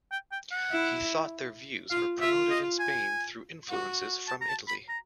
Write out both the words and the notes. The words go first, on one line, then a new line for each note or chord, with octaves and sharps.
He thought their views were promoted in Spain through influences from Italy.
G5
G5
F#5
E4
F4 F5
F4 E5
D#5
G#5
F#4
A5
A#5
A5
B5
A#5